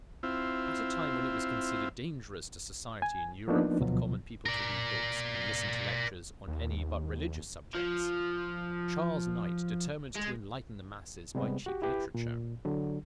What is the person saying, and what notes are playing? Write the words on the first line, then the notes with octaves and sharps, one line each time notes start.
At a time when it was considered dangerous to society in Europe for the common people to read books and listen to lectures on any but religious subjects, Charles Knight determined to enlighten the masses by cheap literature.
C4 E4 F4
G#5
F3 A#3 B3 D4 D#4
D2 B2 F3 F#3
A#4 D5
D#2
F3
G#3
C3 G3 G#3 B3
F#4 G4
E4 G4 B4
A#2
D3 F#3